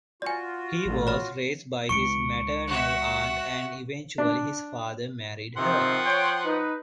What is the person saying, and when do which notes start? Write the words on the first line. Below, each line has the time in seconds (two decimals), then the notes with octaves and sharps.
He was raised by his maternal aunt and eventually his father married her.
0.22 F4 F#4 D5 G#5
0.85 A1
1.07 C#5 B5 F6
1.89 C#2 D#3 C#6 C#7 D7
2.68 F#4 E5
4.18 D4
5.57 C3 D#3 F3 C4 F#5 C6
6.05 C#5 G5
6.44 D#4 B4